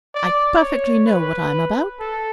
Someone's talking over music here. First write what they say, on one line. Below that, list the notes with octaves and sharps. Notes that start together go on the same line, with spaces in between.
I perfectly know what I'm about.
D5
C#5
B4
A4